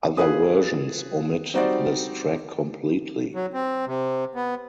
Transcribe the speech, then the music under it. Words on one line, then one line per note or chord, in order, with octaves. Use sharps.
Other versions omit this track completely.
F4 G#4 B4 G#5 D#6
G3 C4 D#4 F#4 C5 D5
F#3
C4
C3
B3